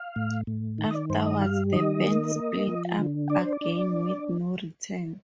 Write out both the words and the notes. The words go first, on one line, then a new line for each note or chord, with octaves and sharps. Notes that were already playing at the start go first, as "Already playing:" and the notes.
Afterwards, the band split up again with no return.
Already playing: F5
A2
A2
D#3
D#5
D5
G2 C5
D#5
G3 F5
D#3 D#5
A#3
A#3
F3
D3
D4 D5
C5
D5
D4